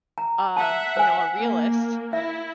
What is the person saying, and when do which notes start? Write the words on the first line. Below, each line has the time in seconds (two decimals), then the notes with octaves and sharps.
um, you know, a realist,
0.18 A#5
0.57 E5 F#5 A5
0.97 C5 G#5
1.39 A#3
2.13 E4 E5